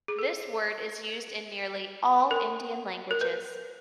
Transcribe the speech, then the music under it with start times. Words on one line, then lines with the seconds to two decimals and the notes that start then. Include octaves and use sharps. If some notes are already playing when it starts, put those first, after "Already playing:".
This word is used in nearly all Indian languages.
0.08 G#4
0.19 A4
2.31 A#4
3.11 A#4
3.21 B4